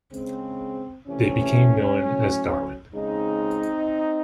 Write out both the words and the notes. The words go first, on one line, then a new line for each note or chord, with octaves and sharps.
They became known as Darwin.
C#3 G#3 C4
C3 E3 A3 C#4
A2 F#3 A3
C#3 G#3 C4 D#4